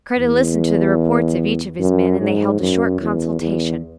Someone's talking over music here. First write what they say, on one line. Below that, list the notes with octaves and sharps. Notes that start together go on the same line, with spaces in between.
Kreta listened to the reports of each of his men, and they held a short consultation.
E2
F#2
G#2
F#2
E2
E2